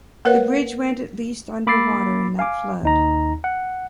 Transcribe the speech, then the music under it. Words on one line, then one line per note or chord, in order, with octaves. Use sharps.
The bridge went at least under water in that flood.
A#3 A#4 B4 C#5 F5 F#5
A#3 B5 D6 E6 A6 C7
F5 G#5 D6
D#2 D#4 A#5
F#5